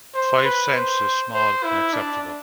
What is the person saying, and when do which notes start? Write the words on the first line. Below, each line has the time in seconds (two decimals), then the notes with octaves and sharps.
Five cents is small and acceptable.
0.15 C5
0.44 B4
0.75 C5
1.34 C5
1.64 E4
1.93 D4